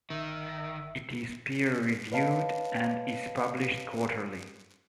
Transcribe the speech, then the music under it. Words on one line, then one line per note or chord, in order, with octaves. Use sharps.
It is peer-reviewed, and is published quarterly.
G1 D#3 E5
G1
B4 C#5 D#5 F5 A5